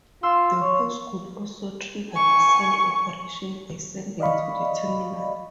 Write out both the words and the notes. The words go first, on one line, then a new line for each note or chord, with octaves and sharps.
The host could also trigger the send operation by sending to the terminal.
F4 C6 E6 C7
C#5
G#5 C#6
D5 D#5 F5 B5 C#6